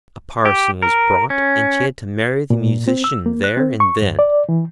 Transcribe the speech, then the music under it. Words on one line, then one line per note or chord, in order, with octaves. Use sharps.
A Parson was brought, and she had to marry the Musician there and then.
G4
A#4
C#4
A#2
C4
E6
A#3
F#6
C4
C#6
G2
D5
E3